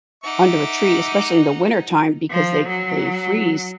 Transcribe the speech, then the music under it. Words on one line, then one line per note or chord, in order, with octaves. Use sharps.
under a tree, especially in the winter time because they they freeze
D#4 E5 F#5 D6
F3
F#3